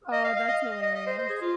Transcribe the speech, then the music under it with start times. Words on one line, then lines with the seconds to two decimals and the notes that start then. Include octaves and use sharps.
Oh, that's hilarious.
0.12 D#5
0.24 F5
0.36 F5
0.48 D#5
0.71 D#5
0.82 D#5
0.95 D#5
1.07 C5
1.18 C5
1.29 G#4
1.42 F4